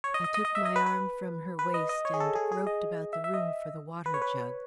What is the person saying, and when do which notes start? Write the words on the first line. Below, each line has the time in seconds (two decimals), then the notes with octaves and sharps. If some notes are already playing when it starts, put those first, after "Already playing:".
I took my arm from her waist and groped about the room for the water-jug.
0.04 C#5
0.14 D#5
0.24 D#5
0.34 D#5
0.45 D#5
0.55 E5
0.65 D#5
0.76 B4
0.86 B4
1.59 B4
1.74 D#5
1.89 D#5
2.05 C#5
2.14 G#4
2.20 A4
2.35 G#4
2.52 G#4
2.67 D#5
3.13 E5
3.24 E5
3.34 D#5
4.06 B4
4.14 C#5
4.22 B4